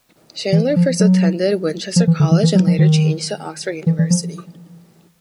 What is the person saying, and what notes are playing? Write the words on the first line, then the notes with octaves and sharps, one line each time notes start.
Chandler first attended Winchester College and later changed to Oxford University.
E3
F3
F#3
F3
E3
D3
E3
E3
F#3
F3
D#3
E3
E3
F3